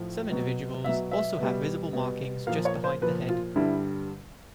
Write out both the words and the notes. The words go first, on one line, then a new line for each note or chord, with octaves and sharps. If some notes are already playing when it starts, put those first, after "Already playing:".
Some individuals also have visible markings just behind the head.
Already playing: A2 F3
B2 F#3
B2 F#3 E5
E5
B2 G3
B2 G3
A#2 F3 F5
C#5
C5
A#2 F3 B4
F4
G2 D3 G3 E4